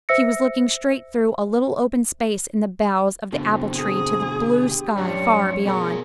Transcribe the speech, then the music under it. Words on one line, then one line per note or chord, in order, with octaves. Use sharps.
She was looking straight through a little open space in the boughs of the apple tree to the blue sky far beyond.
C5 E5 E6 A#6 C#7
B2 D3 C4
G#4
G4
F#2 D4 C#5
B2 G#4 A#4